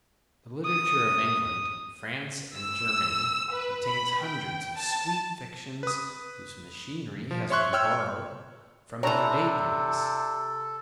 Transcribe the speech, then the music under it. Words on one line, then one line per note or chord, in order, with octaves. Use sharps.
The literature of England, France, and Germany contains hundreds of sweet fictions, whose machinery has been borrowed from their day-dreams.
D#6
E6
B4
B5
G5
A5
B4 D#6
F3
C#5 E5 C6 C#6 F#6
C#5 G5 E6 F6
C3 E3 D4 A4 C#5 A#5